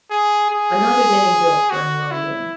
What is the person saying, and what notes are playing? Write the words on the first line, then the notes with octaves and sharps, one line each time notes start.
I'm not admitting guilt for any wrongdoing.
G#4
G#4
F#4
E4